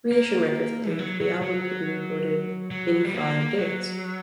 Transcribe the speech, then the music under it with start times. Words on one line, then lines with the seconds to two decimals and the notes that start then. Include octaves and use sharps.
Creation Records believed that the album could be recorded "in five days".
0.12 A#3
0.90 E3
0.99 F#3
1.21 F#3
1.42 F#3
2.71 F#3
3.05 G3
3.14 A#3
3.58 F#3